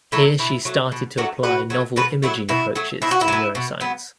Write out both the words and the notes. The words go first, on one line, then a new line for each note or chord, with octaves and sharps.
Here she started to apply novel imaging approaches to neuroscience.
F#3 A3 E4 A4
B2 E4
F#3 A3
B2
F#3 A3 D4 F#4
B2 F#4 B4
F#3 A3
B2 F#4 B4
F#3 A3 E4
B2 E4
F#3 A3
B2 E4
F#4
E4
F#3 B3
B2
F#3 B3